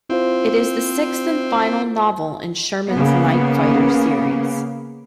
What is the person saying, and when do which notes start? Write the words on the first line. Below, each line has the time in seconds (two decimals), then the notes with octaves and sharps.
It is the sixth and final novel in Sherman's Night Fighter Series.
0.10 C4 E4 F4 C5
2.92 C#3 A#3 B3